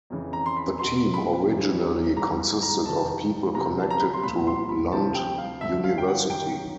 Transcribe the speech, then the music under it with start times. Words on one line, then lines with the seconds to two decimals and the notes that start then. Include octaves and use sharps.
The team originally consisted of people connected to Lund University.
0.10 F2 C#3 E3
0.33 A#5
0.46 C6
0.57 B5
0.79 E2 B2 C6
1.14 B5
1.48 F#2 C#3 E3
2.17 G2 D#3 A#5
2.62 A#5
2.86 F2 C3 D#3 A5
3.54 D2 C3 F3 A#5
3.80 A5
3.90 A#5
4.00 B5
4.14 C6
4.23 C2 A#2 F3 B5
4.47 C6
4.69 B5
4.92 D2 C3 F3 A5
5.15 G5
5.38 F5
5.61 G2 D3 F3 E5
5.84 F5
5.98 G5
6.08 F#5
6.30 F#2 D#3 G5